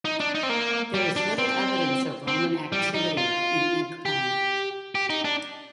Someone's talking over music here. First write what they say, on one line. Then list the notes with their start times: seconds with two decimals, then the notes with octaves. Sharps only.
There is little evidence of Roman activity in Inkpen.
0.05 D#4
0.20 D4
0.35 D#4
0.43 C4
0.49 A#3
0.94 G3
1.16 D4
1.38 C4
2.28 C4
2.72 G3
2.94 D#4
3.17 F4
4.06 G4
4.95 G4
5.10 D#4
5.25 D4